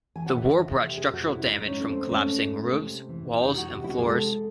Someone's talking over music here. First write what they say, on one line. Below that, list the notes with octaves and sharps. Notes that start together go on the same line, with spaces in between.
The war brought structural damage from collapsing roofs, walls and floors.
E3 G#5
F#5
E5
E3
D#5
C3 E5
G#4
C3 F#4
E4
G#2 D#4
D#4
C#4
A3
C4
A3 C#4
G#2
C3
E3
C3 D#4
F#4
C3
E4
F#4
G#4
G#3 A4